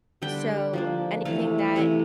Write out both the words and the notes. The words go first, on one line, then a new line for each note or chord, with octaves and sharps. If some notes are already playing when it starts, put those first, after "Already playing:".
so anything that
D3 G3 D4 G5
F3 A#3 D4
C3 E3 A3 F5
C3 E3 A3